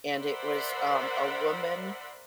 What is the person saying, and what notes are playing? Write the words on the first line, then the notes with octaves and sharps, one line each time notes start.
and it was, um, a woman
A#4 C5 D5 E5 F#5 B5